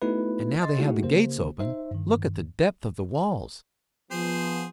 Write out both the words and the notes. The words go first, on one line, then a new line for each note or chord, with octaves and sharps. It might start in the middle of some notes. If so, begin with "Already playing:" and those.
And now they have the gates open, look at the depth of the walls.
A3 B3 D#4 E4 F#4 B4
D#5 C6 A6
G#3 A3 D#4 E4 F#4 G#4
C#3 A#3 G4 C5
D#4 C5 E5
G2 D#3
F3 B3 G#4 C5